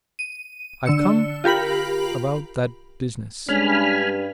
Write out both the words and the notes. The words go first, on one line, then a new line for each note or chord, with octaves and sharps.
"I've come--about that business."
D#7
D3 E6 C#7
F4 G4 A#4 B5 F#7
G2 G#3 C#4 D4 G#5 B5 F6